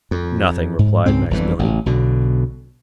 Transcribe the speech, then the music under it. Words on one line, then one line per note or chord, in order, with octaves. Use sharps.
"Nothing," replied Maximilian.
F2
G#2
C#2 G#2 C#3 C4
G1 F2 E3
A1
B1 B2 D3